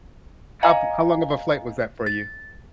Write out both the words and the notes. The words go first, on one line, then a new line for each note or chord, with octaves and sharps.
How how long of a flight was that for you?
D#5 F5 G#5 A#5
A6